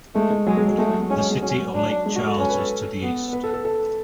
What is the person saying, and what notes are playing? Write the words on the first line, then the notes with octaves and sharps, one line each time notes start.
The city of Lake Charles is to the east.
G#3 A3
G#3
F#3 G#3
G#3
F#3
G#3 A3
F#3
G#3
G#3 C#4
G#3
F#3 C#4
D4
G#3
F#4
A4
C#4 B4
B4
A4
B3
B4
A4
A4
A4